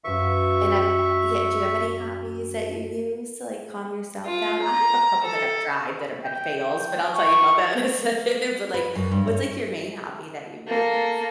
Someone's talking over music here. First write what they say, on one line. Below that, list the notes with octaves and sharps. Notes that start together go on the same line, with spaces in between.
And I've yeah, do you have any hobbies that you use to, like, calm yourself down? I have a couple that I've tried that have been fails, but I'll tell you about that in a second, but, like, what's, like, your main hobby that you use?
F#2 F4 B4 E5 C#6
F4
A#5
A4
G5
G5
C#6
B4
F#2
G2
C#5
A#3 A4